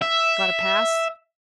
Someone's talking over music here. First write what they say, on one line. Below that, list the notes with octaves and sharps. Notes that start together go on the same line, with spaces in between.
"Got a pass?"
E5